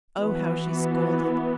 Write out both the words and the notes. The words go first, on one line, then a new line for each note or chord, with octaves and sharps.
Oh, how she scolded.
E3 B3 F#4